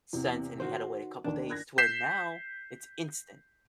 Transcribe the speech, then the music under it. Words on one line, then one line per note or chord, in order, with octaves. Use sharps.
sent and you had to wait a couple days to where now it's instant.
E2 C3 E3
D#3 F#4 C5
D#2 D#3 D4
F#6 G#6 A#6
G6 B6 C7 E7